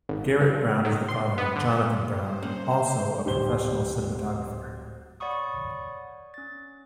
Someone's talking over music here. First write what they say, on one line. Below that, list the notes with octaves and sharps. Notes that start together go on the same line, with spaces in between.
Garrett Brown is the father of Jonathan Brown, also a professional cinematographer.
G#1
G2
D#3
C6
B3
D3
C5
A#3 C#4 F#5
D1 G4 C5 G7
C#5 D5 F#5 B5 C#6 D#6
C#4 A6